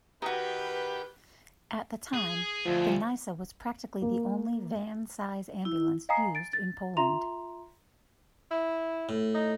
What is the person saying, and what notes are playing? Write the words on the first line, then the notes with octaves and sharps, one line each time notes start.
At the time, the Nysa was practically the only van-size ambulance used in Poland.
D#3 D#4 F#4 G4 B4
G#4
D2 F3
A#3
E4
D#5 F5 G#5 A#5 D#6 C7
A6 D7
A6
F4 E5 A#5 C6 F7
E4
A2
D#4